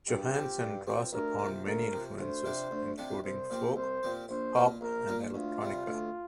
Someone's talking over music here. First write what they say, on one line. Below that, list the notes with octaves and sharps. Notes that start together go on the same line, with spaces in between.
Johansen draws upon many influences, including folk, pop, and electronica.
G2 G4
F3 C4
G2
F3 C4
D2 A#4
C3
F3
D2 A#4
C3 F3
D2 C5
C3 F3 D4 G4
D2
C3 F3 D4 G4
C2 C5
A#2 F3 C4 G4
C2 C5
A#2 F3 C4 G4
A#1 C5
A#2 A#3 F4
A#1 A#4
A#2 A#3 F4
D2 F4
C3 G3
D2